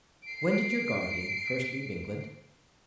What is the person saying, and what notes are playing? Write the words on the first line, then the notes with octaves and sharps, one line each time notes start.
"When did your guardian first leave England?"
C7 D7